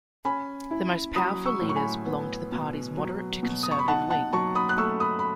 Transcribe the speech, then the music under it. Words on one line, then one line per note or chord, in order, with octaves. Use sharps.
The most powerful leaders belonged to the party's moderate-to-conservative wing.
C#4 G#5 B5
E4
F#3 B5 D#6
C#6 E6
A2
C#6
G#5 B5
B3
B2
F#3
B2
D#6
C#6
B5
D#4 F#5 A5
F#5 A5
F#3 A5 C#6
B5 D#6
F#6
A3 C#6 E6
B5 D#6
B5